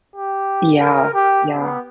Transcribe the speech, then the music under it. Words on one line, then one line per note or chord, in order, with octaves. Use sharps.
Yeah, yeah.
G4
A#4
G4
B3